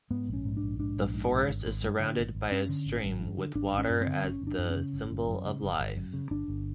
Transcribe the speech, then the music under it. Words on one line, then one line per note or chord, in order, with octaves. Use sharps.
The forest is surrounded by a stream, with water as the symbol of life.
G#2 B3
A#1
C#4
G#2
D4
A#1
G#2 D4
A#1
G#2
A#1
G#1
G#1
G2
D3
G#1
G#1
G2 C#4
D3
G#1
G#1
G2
D3
G#1 D4
G#1
C#4
G2
C4
D3
G1 C#4
G1
D4
F#2
C#4
C#3
G1
G1
F#2
C#3
G1
G1
F#2
C#3
G1 D4
G1